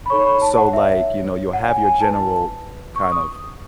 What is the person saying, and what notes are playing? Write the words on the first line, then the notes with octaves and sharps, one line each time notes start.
So, like, you know, you'll have your general kind of
B5
D#4 A4 C#5 C#6
B5
A5
F#5
E5
E5
F#5
G#5
G#5
E4 B4 A5
C#6
D#6